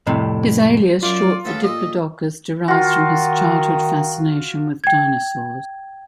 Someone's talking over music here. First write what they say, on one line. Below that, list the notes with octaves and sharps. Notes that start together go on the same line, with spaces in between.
His alias, short for "Diplodocus", derives from his childhood fascination with dinosaurs.
C2 F2 A2 C3
F#2 F4 D5
D2 C#3 B3 A4
A#2 A4 D#5
D#3 F4 F#4
G5 G#6